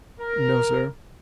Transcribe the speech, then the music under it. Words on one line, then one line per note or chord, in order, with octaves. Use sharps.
"No, sir."
A#4